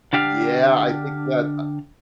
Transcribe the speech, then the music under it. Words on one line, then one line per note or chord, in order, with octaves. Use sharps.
Yeah, I think that, uh
D3 D4 G4 F5